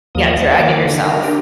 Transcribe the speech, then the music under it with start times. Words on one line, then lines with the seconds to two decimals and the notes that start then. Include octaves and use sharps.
Yeah, dragging yourself.
0.15 D#2 F3 A#3 D#6
0.39 D#5 F#5 A5
0.60 D#3 A#3 D6
0.85 D3
1.05 D#4 A#4
1.24 D4 G4 A#4